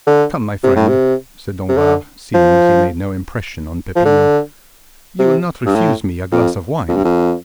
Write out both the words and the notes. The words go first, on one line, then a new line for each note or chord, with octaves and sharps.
"Come, my friend," said Danglars, seeing that he made no impression on Peppino, "you will not refuse me a glass of wine?"
D3
C3
A2
C3
C3
D3
F3
F3
D3
C3
G2
A2
F2
F2
G2
F2